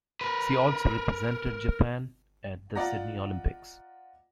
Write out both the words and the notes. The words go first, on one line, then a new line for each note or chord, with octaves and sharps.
She also represented Japan at the Sydney Olympics.
A#4 B4
F4 D5 D#5 F#5 A#5 A#6